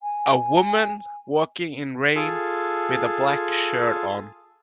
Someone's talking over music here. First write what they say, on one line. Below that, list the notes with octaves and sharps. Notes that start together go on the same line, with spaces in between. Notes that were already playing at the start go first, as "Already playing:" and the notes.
A woman walking in rain, with a black shirt on.
G#5
F4 G#4 A4